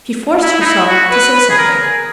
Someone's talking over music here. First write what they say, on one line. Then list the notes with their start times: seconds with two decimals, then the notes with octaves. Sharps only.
She forced herself to say something.
0.42 E4
0.61 D#4
0.65 E4
0.88 F#4
1.11 B4
1.34 B4
1.50 G#4
1.58 A#4
1.81 G#4